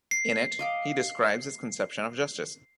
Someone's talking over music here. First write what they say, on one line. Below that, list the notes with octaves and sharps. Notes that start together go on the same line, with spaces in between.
In it he describes his conception of justice.
C7
D#5 F5 D6